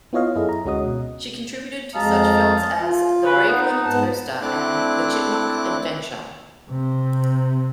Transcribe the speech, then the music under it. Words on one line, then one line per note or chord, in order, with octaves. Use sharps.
She contributed to such films as "The Brave Little Toaster" and "The Chipmunk Adventure".
B3 E4 F4 C#5 D#5 F5
F#2 E4 G#4 A4 D#5
A#5
D2 G#3 C#4 F#4 D#5 D#6
B2
F2 G#3 D#5 F5 A5 A#5
F4
C#3 B4
D#4 F#5
G#2 B3 A5
A3 C4 D4 E4 D6 F#6
C3